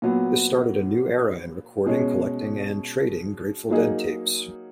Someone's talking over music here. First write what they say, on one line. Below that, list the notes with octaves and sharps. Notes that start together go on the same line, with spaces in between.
This started a new era in recording, collecting, and trading Grateful Dead tapes.
A#2 F#3 B3
B2 G#3 C#4
F#3 A#3 D#4 G#4